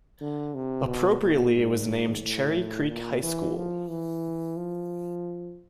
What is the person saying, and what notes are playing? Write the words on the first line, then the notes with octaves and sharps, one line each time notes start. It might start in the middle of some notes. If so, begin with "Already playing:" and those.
Appropriately, it was named Cherry Creek High School.
D3
C3
B2
A#2
G#2
A2
A#2
E3
F3
E3
F3